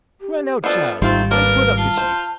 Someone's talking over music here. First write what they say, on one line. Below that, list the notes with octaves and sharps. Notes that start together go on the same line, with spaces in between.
Run out, child, and put up the sheep.'
G4
F3 B3 A4 D5
G#1 G3 A3 C4 D#4 F4 C5
A#3 B3 D4 A#4 B4
F4 A5
C5